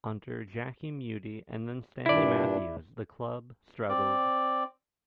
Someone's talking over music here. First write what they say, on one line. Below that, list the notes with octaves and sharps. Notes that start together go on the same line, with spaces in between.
Under Jackie Mudie and then Stanley Matthews the club struggled.
G2 A#2 D4 E4 D5
C4 D5